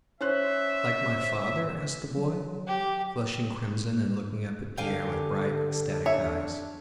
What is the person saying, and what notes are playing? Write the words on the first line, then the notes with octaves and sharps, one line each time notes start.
"Like my father?" asked the boy, flushing crimson and looking up at Pierre with bright, ecstatic eyes.
C#4 C5 E5 F#6
F#3
G4
D3 G4 A4 F5 G#5
D4 C#5 E5